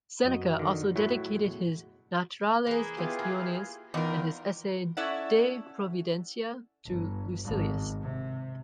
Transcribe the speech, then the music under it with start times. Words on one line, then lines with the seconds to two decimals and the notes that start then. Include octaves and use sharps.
Seneca also dedicated his "Naturales Quaestiones" and his essay "De Providentia" to Lucilius.
0.24 F#2 F#4 D#5
0.59 D3 D#3
0.96 A2 F#3 E4
1.31 D3 G#3
1.45 B2
2.66 E3 A#3 G#4
2.97 D#2 B3 E4 F4 G4
3.19 E3 A#3
3.94 E2 D#4 F4 A#4 G5
4.97 C#4 E4 A4 D5 E5 F#5
6.86 G1
7.45 G#1
8.02 C3